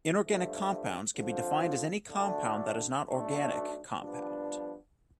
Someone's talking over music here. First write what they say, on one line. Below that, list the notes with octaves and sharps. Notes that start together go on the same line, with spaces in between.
Inorganic compounds can be defined as any compound that is not organic compound.
G2 F3 A3
F2 D3 F3
D2 D3 A3 D4
B1 B2 A3 D4
G2 F3 B3 D4